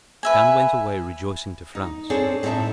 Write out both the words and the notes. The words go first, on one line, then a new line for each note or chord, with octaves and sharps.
Gan went away rejoicing to France.
B4 E5 G#5
D#4
C4 D4 G#4 A4 C#5
A2 C4 D#4 C#5 E5 A5